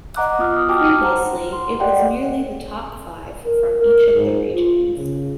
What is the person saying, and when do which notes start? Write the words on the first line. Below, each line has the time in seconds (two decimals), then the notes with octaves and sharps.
Previously, it was merely the top five from each of the regions.
0.16 D#5 F#5 A#5 D6 F#6
0.39 B3 F4 D#6 F6
0.69 F#4 G5 A5 D6 F6
1.01 C5 F#5 A#5
1.53 C6
1.80 G4 D5 D#5 F#5 G5
3.44 A#4
3.80 A#4
4.13 G#2
4.52 F4
4.95 C#3